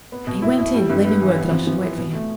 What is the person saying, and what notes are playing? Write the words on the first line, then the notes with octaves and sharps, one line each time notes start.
He went in, leaving word that I should wait for him.
B3
B2
E4
E4
G3
G2
B3
E3
B3
F3
F3
E4
B2
A3